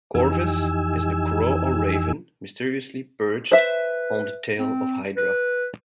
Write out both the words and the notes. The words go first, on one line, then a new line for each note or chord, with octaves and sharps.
Corvus is the Crow or Raven mysteriously perched on the tail of Hydra.
F2 E3 D#4 G4 G#5 E6
B4 C5 E5
C4
B4